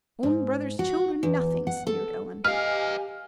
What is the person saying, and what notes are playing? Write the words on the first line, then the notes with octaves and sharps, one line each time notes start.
"Own brother's children, nothing!" sneered Ellen.
G#2
F#4
E2
F#5
A4
G4 B4 D#5 F5 G#5 F6